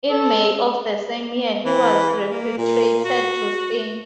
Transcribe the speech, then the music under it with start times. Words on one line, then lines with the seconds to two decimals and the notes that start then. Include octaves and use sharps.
In May of the same year he was repatriated to Spain.
0.10 A4
1.65 E3
2.31 A#3
2.58 A#2
3.05 F#4